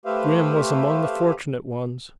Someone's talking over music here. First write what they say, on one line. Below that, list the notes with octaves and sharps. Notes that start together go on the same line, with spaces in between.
Grim was among the fortunate ones.
A3 G4 B4 C5 E5 F5